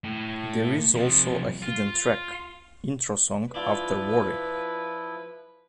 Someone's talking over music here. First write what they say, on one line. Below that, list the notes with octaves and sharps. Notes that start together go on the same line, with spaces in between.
There is also a hidden track, "Intro Song", after "Worry".
A2
C3 F3
F4
F3 D4 E4 F4 B4